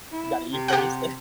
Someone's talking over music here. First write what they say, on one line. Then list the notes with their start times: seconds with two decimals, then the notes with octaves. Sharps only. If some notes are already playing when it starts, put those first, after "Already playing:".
Gotta eat first.
0.12 E4
0.53 C3
0.68 G4 F#5